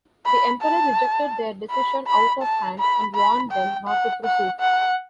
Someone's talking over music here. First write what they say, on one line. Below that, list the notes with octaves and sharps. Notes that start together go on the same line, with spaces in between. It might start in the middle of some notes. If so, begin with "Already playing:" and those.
The emperor rejected their decision out of hand and warned them not to proceed.
B5
A5
B5
B5
A5
B5
B5
G5
F#5
F#5
F#5